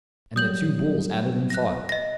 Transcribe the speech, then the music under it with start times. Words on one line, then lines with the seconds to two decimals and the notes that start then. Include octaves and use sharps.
And the two bulls at it and fought.
0.36 F#3 G3 D#6 G6 F#7
1.50 F#6 A#6
1.89 D#5 A#6